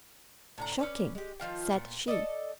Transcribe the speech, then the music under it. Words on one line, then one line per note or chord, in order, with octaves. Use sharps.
"Shocking!" said she.
A2 D3 A#5
C#4 B4 D5
G#3 G4
D#3 F3 F4 G5
A#2 B3
A4 D5 D#5